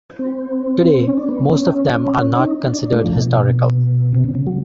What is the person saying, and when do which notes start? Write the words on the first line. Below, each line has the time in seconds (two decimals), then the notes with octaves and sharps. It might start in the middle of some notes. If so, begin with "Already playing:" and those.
Today, most of them are not considered historical.
0.19 C4
1.03 C4
1.07 C#4
1.18 D4
1.29 B3
1.51 C#4
1.95 C#4
2.39 D#4
2.67 D4
2.83 D4
2.92 A3
3.04 F3
3.15 B2
4.13 C3
4.24 C#3
4.35 C#3
4.47 F#3